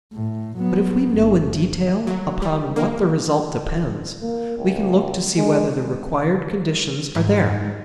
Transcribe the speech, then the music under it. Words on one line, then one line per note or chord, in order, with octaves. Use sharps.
But if we know in detail upon what the result depends, we can look to see whether the required conditions are there.
A2
F#3 B3
G1
F#3
G3
A#3
A#3
C#2
G#3
G#2